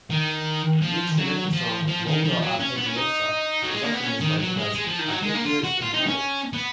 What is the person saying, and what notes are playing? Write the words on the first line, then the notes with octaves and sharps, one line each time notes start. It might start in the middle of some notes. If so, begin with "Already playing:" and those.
The instrumental song "Molto Arpeggiosa" is often mislabelled as "Arpeggios from Hell".
D#3
F3
F#3
F3
F3
D#3
F3
F#3
C#4
B3
C#4
D#4
F#3
G#3
A#3
B3
C#4
D#3
F#3
G#3
G#3
F3
D#3
F#3
G#3
A#3
F4
F#4
F4
D#4
C#4
B3